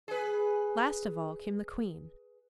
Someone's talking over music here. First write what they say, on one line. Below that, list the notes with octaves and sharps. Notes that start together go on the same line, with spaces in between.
Last of all came the Queen.
G#4 B4